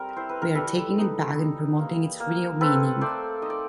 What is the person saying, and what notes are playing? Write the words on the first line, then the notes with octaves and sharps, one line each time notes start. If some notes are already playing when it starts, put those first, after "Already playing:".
We are taking it back and promoting its real meaning.
Already playing: G3 C4 A#4
E4 C5
B4
A#4
G3 A4 B4
D#4
D#4
A#3
A#3
C4 A4 B4
A3 C5 D5
D#4 D#5
D5